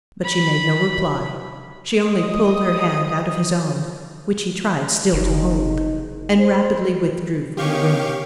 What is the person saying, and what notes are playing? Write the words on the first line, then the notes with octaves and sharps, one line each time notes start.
But she made no reply; she only pulled her hand out of his own, which he tried still to hold, and rapidly withdrew from the room.
B5
D#5 D#6
F#1 D#4
C5
D#3 B3 C#4 G4 F5 C#6